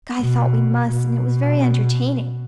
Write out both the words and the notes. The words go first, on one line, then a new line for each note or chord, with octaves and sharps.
'Guy thought we must, and it was very entertaining.
B2
B2